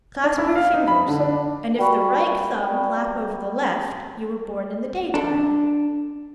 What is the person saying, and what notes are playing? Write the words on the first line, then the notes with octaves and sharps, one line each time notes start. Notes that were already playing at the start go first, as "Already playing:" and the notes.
Clasp your fingers, and if the right thumb lap over the left you were born in the daytime.
D4
E4
F5
D#4
B5
D3
D4
G3 A#3 F#4 B5
D4 A4